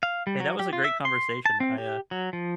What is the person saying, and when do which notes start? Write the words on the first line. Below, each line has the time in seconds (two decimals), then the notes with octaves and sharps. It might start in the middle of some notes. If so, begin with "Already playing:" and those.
Hey, that was a great conversation. I, uh
0.03 F5
0.27 G3
0.40 F#3
0.59 G4
0.73 F4
0.84 E5
1.05 C6
1.46 A5
1.60 C4
1.78 G4
2.11 F#3
2.33 F3